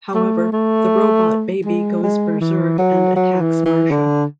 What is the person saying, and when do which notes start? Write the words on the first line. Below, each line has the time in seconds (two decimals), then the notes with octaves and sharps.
However, the robot baby goes berserk and attacks Marcia.
0.15 A3
0.53 A3
1.65 G#3
2.03 G#3
2.41 E3
2.78 F#3
3.16 F#3
3.41 E3
3.65 E3
3.91 D3